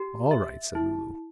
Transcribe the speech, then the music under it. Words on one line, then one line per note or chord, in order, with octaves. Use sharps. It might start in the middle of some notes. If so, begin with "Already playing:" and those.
"All right," said Lulu.
Already playing: G4
E5
E4